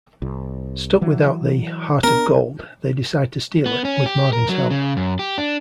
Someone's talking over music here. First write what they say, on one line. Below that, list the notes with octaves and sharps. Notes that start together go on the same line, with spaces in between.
Stuck without the "Heart of Gold", they decide to steal it, with Marvin's help.
C2
E3 F#3
B3 C4 D4 A#4
B3
C#4
G4
A#4
F#3
C#3
F#2
G4
D4